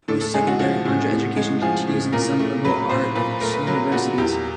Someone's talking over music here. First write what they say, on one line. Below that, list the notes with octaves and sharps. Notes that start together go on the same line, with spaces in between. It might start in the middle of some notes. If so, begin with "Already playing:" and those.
Post-secondary hanja education continues in some liberal-arts universities.
A2 A4
A4
G#3 G#4
F#4
F3 F#4
A2
A2
G#3
F3 G#4
A2
A#2 A#4
A3
F#3 B4
A#2 C5
A#2 B4
A3 A#4
B4
F#3 A#4
A#2 F#4
E2 G4